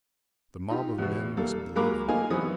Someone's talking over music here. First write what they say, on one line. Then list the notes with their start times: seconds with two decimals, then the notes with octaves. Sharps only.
The mob of men was bleeding.
0.69 D#4 F4 G4
0.98 E2 B2
1.37 G3 A#3 A4
1.76 F#3 G#3 A#3 A#4 B5 D6
2.08 A3 A#3 F4 G#4 D#5 G#5
2.30 F#2 E3 B3 C4 D#6